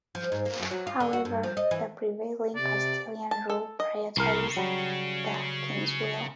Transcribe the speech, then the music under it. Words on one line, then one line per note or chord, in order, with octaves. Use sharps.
However, the prevailing Castilian rule prioritized the king's will.
F3
G#2
A#3
F#2
F#3
F4
D3
F#4
G2
F3
D#5
E3
C3 D5
A5
A4
D#5
C2 C#3 A#4
F#3 G3